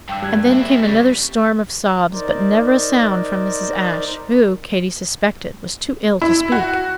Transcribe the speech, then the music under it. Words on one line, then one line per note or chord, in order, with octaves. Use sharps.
And then came another storm of sobs, but never a sound from Mrs. Ashe, who, Katy suspected, was too ill to speak.
G2 G5 E6
G3 F#6 G#6
A#3
C4 E4
C#3 G3
D#4 A#4 C5 D5
E4
F#4